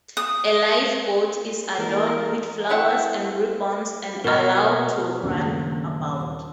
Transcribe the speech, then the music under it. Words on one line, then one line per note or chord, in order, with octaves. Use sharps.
A live goat is adorned with flowers and ribbons and allowed to run about.
D#6
E3 G#3 A#3 A#4 A5
C4 E4 F#5
B2 F#4 A#4 D#5 F6
D#1 F#2 C#3 A#3 D4